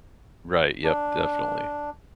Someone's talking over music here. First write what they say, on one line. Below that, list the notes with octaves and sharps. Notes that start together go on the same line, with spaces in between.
Right, yep, definitely.
D4